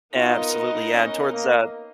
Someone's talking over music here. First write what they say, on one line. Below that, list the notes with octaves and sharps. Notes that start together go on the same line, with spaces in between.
Absolutely, yeah, and towards the
B3 D#4 F4 A#4 D#5
C#4
A#3